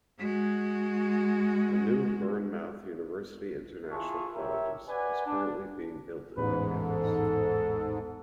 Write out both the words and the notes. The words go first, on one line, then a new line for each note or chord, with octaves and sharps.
A new Bournemouth University International College is currently being built at the campus.
G#3 F#4
E4 F4 G#4 A5 C#6
G4 A#4 C#5 E5
B4 D5 F#5 G#5
D4
A1 E2 G#2 B4
A4